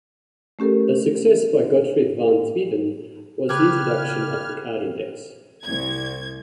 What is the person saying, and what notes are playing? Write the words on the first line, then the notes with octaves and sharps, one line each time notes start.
A success by Gottfried van Swieten was the introduction of the card index.
A3 C#4 G4 A4 A#4
C#3 G4 B4 D6 F6 F#6 G#6
C2 G#6